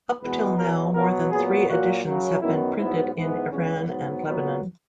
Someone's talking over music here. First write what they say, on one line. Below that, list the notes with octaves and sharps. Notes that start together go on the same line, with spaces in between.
Up till now more than three editions have been printed in Iran and Lebanon.
E2 B2 G#3 B3 B4
E2 B2 F#3 A#4
B2 F#3 B3 A#4
A#2 F#3 B3 G#4
A#2 F#3 A#3 F#4
F#2 C#3 F#3
F#2 D#3 F#3 B3 E4
G#2 F#3 B3 E4
G#2 E3 G#3 B3
E2 C#3 G#3 B3 C#4
G#2 F#3 B3
A#2 F#3 B3 D#4